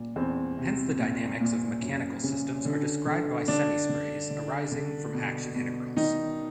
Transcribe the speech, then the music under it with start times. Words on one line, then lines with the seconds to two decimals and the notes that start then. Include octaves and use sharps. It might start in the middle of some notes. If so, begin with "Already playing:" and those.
Hence the dynamics of mechanical systems are described by semisprays arising from action integrals.
Already playing: A#2
0.16 E2 C4
0.57 C3
0.99 A#2
1.40 A#2
1.82 F#2
2.24 C#3
2.65 D3
3.06 D3
3.48 D3 D4
3.89 D3
4.30 D3
4.72 D3
5.14 B2
5.55 B2
5.97 D#3 D#4